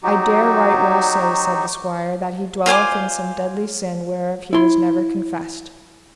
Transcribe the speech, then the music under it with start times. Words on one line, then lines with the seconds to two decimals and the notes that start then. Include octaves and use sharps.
I dare right well say, said the squire, that he dwelleth in some deadly sin whereof he was never confessed.
0.03 F#3 D#4 F#4 G4
2.66 F4 C5 G#5 D6
4.53 E4 C6